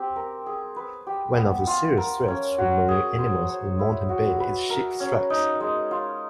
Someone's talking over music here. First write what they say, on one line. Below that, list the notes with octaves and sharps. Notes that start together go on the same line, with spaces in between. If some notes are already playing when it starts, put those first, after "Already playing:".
One of serious threats to marine animals in Moreton Bay is ship-strikes.
Already playing: C4 G4
A#4
G#4
B4
G4
B3
F4
A#4
C#4
F#4
G#4
C5
C#5
E4
F#4
B4
A#4
C#4
D#4
G#3
F4